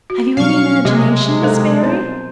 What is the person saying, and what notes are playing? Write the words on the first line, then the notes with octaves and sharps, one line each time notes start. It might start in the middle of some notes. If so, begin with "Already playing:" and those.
Have you any imagination, Miss Barry?
F#4
B2 F#3 G3 F5 C#6
C3 G#3
A4 A#4 C5 F5
B3 C4 C5 C#5